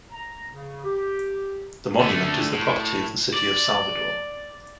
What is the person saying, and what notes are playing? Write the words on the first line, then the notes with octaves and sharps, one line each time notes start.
The monument is the property of the City of Salvador.
A#5
C#3
G4
D3 A3
A2
D5